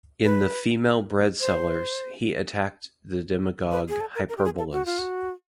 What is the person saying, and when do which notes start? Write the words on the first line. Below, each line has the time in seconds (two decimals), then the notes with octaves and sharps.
In the "Female Bread-Sellers", he attacked the demagogue Hyperbolus.
0.24 B4
1.41 C5
3.71 B4
3.89 G#4
4.01 A4
4.15 A#4
4.29 A#4
4.37 G4
4.44 G#4
4.58 A4
4.72 F#4
4.86 F4
4.99 F#4